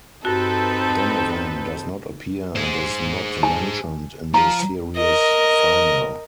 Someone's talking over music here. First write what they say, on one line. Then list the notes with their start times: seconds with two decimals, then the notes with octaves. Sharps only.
Donovan does not appear and is not mentioned in the series finale.
0.25 G2 C4 D#4 F#4 A4 B4
2.56 G#4 C5
3.43 G#5 A5
4.34 F3 F4 A#5
4.97 A#4 D#5